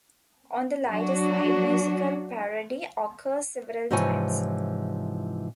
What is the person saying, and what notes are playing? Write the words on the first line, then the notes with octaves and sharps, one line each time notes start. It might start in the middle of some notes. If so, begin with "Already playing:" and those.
On the lighter side, musical parody occurs several times.
F#3 D4 F#4
G#2 C3 E3 F3 C#5 G#5